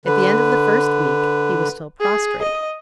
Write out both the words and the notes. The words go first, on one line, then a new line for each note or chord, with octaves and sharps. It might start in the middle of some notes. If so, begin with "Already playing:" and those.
At the end of the first week he was still prostrate.
D3 B4
G#4
D#5